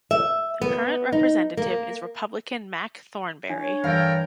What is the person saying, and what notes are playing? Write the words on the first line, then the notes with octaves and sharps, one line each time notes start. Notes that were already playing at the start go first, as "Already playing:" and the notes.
The current Representative is Republican Mac Thornberry.
E5
B3
D#4
A#3
D4 C#5
G2 E3 A4 A#4 F5 G5